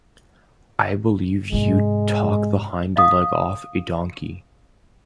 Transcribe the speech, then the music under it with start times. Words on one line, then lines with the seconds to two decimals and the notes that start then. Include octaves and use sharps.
I believe you'd talk the hind leg off a donkey.
1.52 G#2 C3 G#3
2.96 D#5 F5 D#6